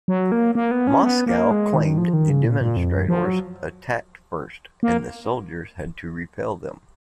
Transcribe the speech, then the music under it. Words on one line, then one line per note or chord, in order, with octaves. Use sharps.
Moscow claimed the demonstrators attacked first and the soldiers had to repel them.
F#3
A#3
A#3
B3
C#4
B3
A#3
G#3
D#3
F3
D#3
C#3
A#2
A#2
F2
F#2
F3
F#3
A#3